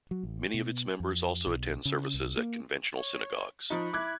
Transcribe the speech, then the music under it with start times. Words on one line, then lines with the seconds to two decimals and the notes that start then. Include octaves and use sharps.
Many of its members also attend services at conventional synagogues.
0.11 F#3
0.23 A1
0.54 B2
1.00 F2
1.47 B1
1.85 C#3
2.14 C2
2.37 A#3
2.97 C#5
3.70 F3 D#4 B5 C#6 F#6
3.93 E4 B5 D6 F#6 G#6